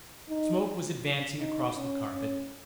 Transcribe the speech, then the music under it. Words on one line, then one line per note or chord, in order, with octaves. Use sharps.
Smoke was advancing across the carpet.
D#4
D#4
C#4
C#4